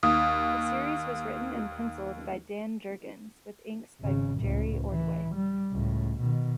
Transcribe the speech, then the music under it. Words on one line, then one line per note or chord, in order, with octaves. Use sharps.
The series was written and penciled by Dan Jurgens, with inks by Jerry Ordway.
D#2 D#6
G#1 C#3
C#2 A2
E3
G3
C#2 A2
B2 D#3